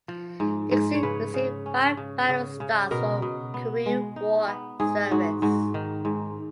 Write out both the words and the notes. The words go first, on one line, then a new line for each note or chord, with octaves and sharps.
"Dixie" received five battle stars for Korean War service.
F3
G#2
G#2
C#5
C#3 B4
C#3
C#4
C#3
C#3
C#3
B2 A#4
B2
B3
G#3
D#4
B3
G#2 G#4
G#2 F#4
G#2 F#4
D#3
G#2